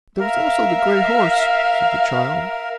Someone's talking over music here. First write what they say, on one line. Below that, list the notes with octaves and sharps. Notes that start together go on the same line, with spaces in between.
"There was also the grey horse," said the child.
A#4 E5 F5